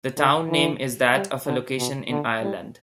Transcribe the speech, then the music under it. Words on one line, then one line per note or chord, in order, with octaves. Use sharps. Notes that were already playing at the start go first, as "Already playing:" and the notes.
The town name is that of a location in Ireland.
D3
E3
G3
D3
B2
D3
G3